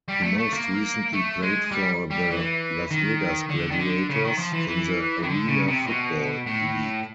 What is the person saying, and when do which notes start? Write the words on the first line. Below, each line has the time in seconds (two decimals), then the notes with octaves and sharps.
He most recently played for the Las Vegas Gladiators in the Arena Football League.
0.08 G3
0.23 A3
0.38 A3
0.53 A#3
1.13 A3
1.42 G#3
1.72 G3
2.11 G3
2.30 E3
2.91 D#3
3.49 D3
3.71 D#3
3.79 D3
4.10 C#3
4.24 D#3
4.38 F3
4.53 E3
4.68 E3
5.22 D#3
5.28 D3
5.47 C#3
5.67 C3
5.87 B2
6.47 A2